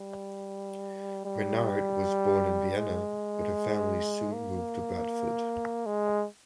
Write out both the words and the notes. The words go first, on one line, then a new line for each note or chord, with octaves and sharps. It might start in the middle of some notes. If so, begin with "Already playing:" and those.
Reynard was born in Vienna but her family soon moved to Bradford.
Already playing: G3
G3
G#3
A#3
G#3